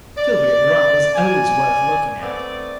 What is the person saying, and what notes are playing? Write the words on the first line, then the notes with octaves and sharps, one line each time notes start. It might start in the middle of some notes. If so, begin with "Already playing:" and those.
Sylvia Grant was always worth looking at.
D5
D5 G#5
A3 B3 C4 D5